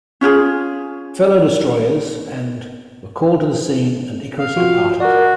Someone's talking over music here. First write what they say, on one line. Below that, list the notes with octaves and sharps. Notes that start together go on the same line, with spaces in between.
Fellow destroyers and were called to the scene, and "Icarus" departed.
C#4 F4 G4 G#4
F5
F3 F4 F#4
F#4 A#4 D5